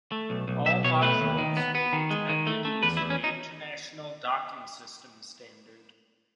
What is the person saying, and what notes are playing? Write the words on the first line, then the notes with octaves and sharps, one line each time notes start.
All modules will be connected using the International Docking System Standard.
A3
B1
B1
B1 E5
B2 C#5
A3 B4
D#2
D#3
B3
B3
D#3
G#3
D#3
A3
A3
E2 B4
E4
E2
C#4
D#4